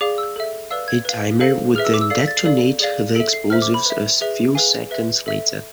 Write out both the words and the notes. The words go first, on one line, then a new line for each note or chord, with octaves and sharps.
A timer would then detonate the explosives a few seconds later.
G#4 D5 F5 D6
E6
A4 E5
B4 D5 F5 E6
G#6
B4 F5
A4 C5 F5
G#4 B4 E5 F6
E6
D6
E6
A4 D5 F5 C7
B6
A6
C7
A4 D5 F5
G#4 D5 F5
A4 E5 D7
C7
A4 C5 E5 F6
D6
B5
B4 E5
G#4 B4 E5
G#4 B4 F5 G#5
B4 E5
A4 E5